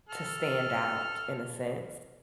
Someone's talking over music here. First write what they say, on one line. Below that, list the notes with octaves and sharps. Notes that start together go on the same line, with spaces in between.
to stand out in a sense,
A4 F6